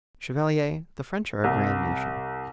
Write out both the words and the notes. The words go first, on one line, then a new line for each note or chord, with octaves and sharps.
Chevalier, the French are a grand nation.
C2